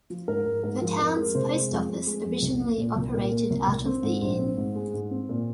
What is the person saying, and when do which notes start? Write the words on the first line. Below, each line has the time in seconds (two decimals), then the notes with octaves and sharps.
The towns post office originally operated out of the inn.
0.10 F3
0.28 G#2 A#4
0.46 G#2
0.63 G#2 A#4
0.81 F3
0.99 F2 A#4
1.17 G#3 A#4
1.35 C3 C5
1.53 G#3
1.71 F2
1.89 F2
2.07 G#3
2.25 F2
2.42 C2
2.60 A#3
2.78 A#2
2.96 C2
3.14 A#2 A#4
3.31 A#3
3.50 C2
3.68 C2
3.85 C4 C5
4.03 G#2
4.22 A#1 C5
4.39 C4
4.57 G#2
4.75 G#3
4.94 G#2
5.11 C4
5.29 A#2